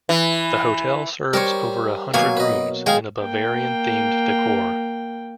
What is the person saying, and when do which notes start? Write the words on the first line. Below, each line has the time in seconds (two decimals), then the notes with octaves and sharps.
The hotel serves over a hundred rooms in a Bavarian themed decor.
0.09 E3
1.33 G3 A#4 C5 C#5
2.14 B2 F#3 A#3 F5 G#5
2.37 B4 D#5
2.86 G#3 G#4 F5 G5
3.20 A#3 G5